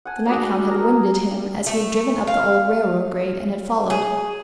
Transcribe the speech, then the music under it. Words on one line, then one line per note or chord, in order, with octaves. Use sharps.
The nighthound had winded him as he had driven up the old railroad-grade, and had followed.
F#5 G#5 A5
D4 F#4 G#4
G#4 A#4 A#5
A3
F5
G#4